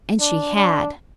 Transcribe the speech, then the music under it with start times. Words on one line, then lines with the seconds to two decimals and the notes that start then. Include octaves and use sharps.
And she had.
0.20 D4
0.56 D4